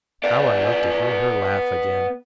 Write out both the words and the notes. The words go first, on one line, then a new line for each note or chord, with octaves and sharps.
How I loved to hear her laugh again!
B3 D5